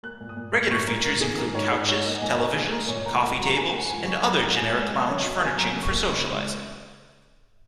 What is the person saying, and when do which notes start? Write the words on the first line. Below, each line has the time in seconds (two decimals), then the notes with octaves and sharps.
Regular features include couches, televisions, coffee tables, and other generic lounge furniture for socializing.
0.03 A#3 F#6
0.20 A#2
0.29 D#6
0.37 A#2
0.54 A#2 D#6
0.71 A#2 C#6
0.87 A#2 A#4
1.04 G#2 A#4
1.21 D#3 G#4
1.38 G#2 A#4
1.55 G#2 C#5
1.71 G#2 G#4
1.88 G#2 C#5
2.05 A#3 D#5
2.14 F#5
2.22 A#2 G#5
2.38 A#3 A#4
2.56 A#3 G#4
2.72 A#3 A#4
2.88 A#2 C#5
3.06 C#2 A#5
3.18 A#3 A#5
3.30 C#6
3.39 F#3 A#5
3.50 A#5
3.56 A#3 G#5
3.72 A#3 F#5
3.89 C#2 G#5
4.06 F#2 C#6
4.23 F#2 A#5
4.40 F#2 A#5
4.57 G#3 G#5
4.74 G#3
4.90 F#2
5.07 F#2 C#5
5.21 F#3 D#5
5.33 F#5
5.40 A#3 G#5
5.57 F#2 A#5
5.74 F#2
5.83 C#6
5.91 A#3
6.08 C#3 D#6
6.25 G#3